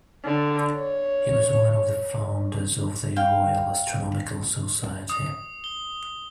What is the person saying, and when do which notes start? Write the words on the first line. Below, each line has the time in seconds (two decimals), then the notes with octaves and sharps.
He was one of the founders of the Royal Astronomical Society.
0.24 D3
0.76 C#5
3.16 F5 G5
5.10 D#6
5.64 G7